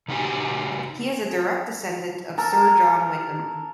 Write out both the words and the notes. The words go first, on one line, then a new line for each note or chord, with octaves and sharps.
He is a direct descendant of Sir John Wyndham.
C#3 D#4 F#4 G4 G#5
A4 A#4